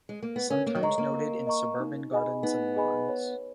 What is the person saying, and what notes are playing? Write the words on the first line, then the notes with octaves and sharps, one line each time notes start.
Sometimes noted in suburban gardens and lawns.
G#3
A#3
B3
C#4 A#4
A#3
F#3
G#3 D#5 A#5 C#6
A#3
A#4
D#5 A#5 C#6
D#4
G#4 D#5 G#5 B5
B3 D#4
G#4 D#5 G#5 B5
C#5